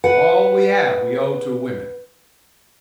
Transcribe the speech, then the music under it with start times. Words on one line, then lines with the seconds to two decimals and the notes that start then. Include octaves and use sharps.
All we have we owe to women.
0.04 B4 F#5